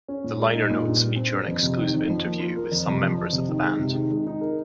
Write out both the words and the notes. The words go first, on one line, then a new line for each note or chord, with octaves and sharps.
The liner notes feature an exclusive interview with some members of the band.
C#4
A#2
G#3
D#4
A#2
G2
G3
C4
G2
F2
C3
D#3
F2
F3
A#3
F4
A#4
F2
C3
F3
F2
C3
D#3
G#3
C3
D#3
G#3
D#4
A#4